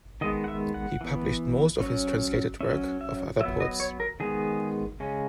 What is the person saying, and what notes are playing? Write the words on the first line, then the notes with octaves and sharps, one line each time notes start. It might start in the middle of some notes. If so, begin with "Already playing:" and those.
He published most of his translated work of other poets.
D#3 G#3 B3 D#5
F#5
E5
F#5
E3 B3
F#3 C#4
F#3 C#4 E5
E5
F#3 B3 E5
D#5
C#5
A#4
D#3 G#3 B3 G#4
C#3 G#3 C#4